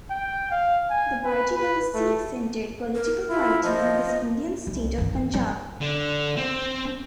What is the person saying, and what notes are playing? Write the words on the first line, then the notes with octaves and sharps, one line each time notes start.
The party was a Sikh-centered political party in the Indian state of Punjab.
G5
F5
G#5
B4
B4
A3
A#4
E4 F4
F3 D#5
C2
G2 D#3
E3
G3
D3
C4